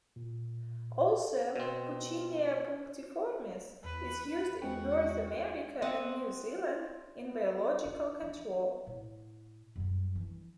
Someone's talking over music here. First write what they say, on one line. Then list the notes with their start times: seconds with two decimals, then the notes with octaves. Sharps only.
Also "Puccinia punctiformis" is used in North America and New Zealand in biological control.
0.16 A#2
1.56 B2 C4
3.84 E2 B4
4.62 G#3 C#4 F#4 G5
5.82 C4 D#5 F#5 D6
7.25 B3
7.84 F4
8.22 E3
8.87 A2
9.76 F#2 G3
10.15 E3 D4